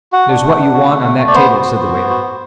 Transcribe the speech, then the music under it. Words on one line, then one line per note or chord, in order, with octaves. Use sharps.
"There's what you want on that table," said the waiter.
F#4 F#5
D4
A3
D4
F#4
A3
A3
A3
D5
B3 C5
F#4
B3
F#4
B3
F#4
F#4